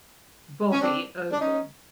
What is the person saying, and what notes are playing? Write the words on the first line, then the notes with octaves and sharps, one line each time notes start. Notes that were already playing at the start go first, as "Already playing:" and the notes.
Body oval.
C#4
C4 D4
D4
C#4 D#4